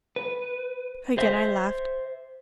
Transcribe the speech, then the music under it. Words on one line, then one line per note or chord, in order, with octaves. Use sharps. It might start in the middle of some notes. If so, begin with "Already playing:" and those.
Again I laughed.
B4
C5 E5